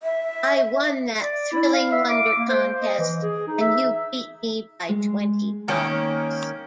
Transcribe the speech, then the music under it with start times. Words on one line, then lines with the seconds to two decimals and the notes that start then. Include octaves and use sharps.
I won that "Thrilling Wonder" contest, and you beat me by twenty dollars.
0.03 E5
1.21 D5
1.52 E4
1.73 F5
1.92 E5
2.09 D6
2.38 A#3
2.49 C5
2.81 D#5
2.98 E3
3.22 G#4
3.48 D#4
3.61 E5
4.89 G#3
5.68 D#3 A#3 C#4